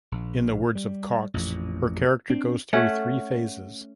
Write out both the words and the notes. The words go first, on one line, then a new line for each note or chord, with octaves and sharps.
In the words of Cox, her character goes through three phases.
A#1
G3
A1 F2 A#2
C4 D4
A3 C#4 F#5